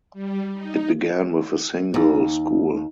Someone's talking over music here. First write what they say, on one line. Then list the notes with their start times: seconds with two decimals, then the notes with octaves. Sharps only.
It began with a single school.
0.13 G3
0.53 D#4
1.94 D#2